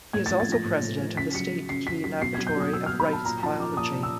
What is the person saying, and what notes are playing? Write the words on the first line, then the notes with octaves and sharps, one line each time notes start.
He is also president of the State Key Laboratory of Rice Biology.
A2 G#6
A6
F3
A6
F3 A#6
A2
A2
F3
C#3 B6
F#3 C#7
F#3
C#3 C7
C#3 B6
F#3 B6
B2 C7
F#3 G#6
G6
F#3 D#6
B2 E6
B2 F6
B5
F#3 A5
A#2 A#5
F3 A5
F3 D6
A#2 D#6
A#2
E6